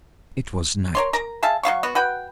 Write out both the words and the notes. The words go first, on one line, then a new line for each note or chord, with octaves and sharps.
It was night.
A#4 C#5 C6
A#4 A#5
G#4 E5 F5 A5
F#3 F4 F5 C#6
B3 F#4
F#4 B4 G5